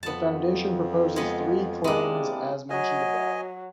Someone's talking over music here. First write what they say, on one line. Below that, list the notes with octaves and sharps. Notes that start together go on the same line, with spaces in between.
The Foundation proposes three claims as mentioned above.
F2 B3 A5
G#3 B3
C3 E3 G#3 A#3 D4 G#4
F#3 D#5 G#5